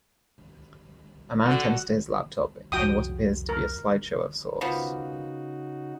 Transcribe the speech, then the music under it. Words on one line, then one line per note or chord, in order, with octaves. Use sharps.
A man tends to his laptop in what appears to be a slideshow of sorts.
D3 F#4
C2 F2 F#4 G5 D#6
A#4
C#3 F3 A#3 B3 D#4 F#4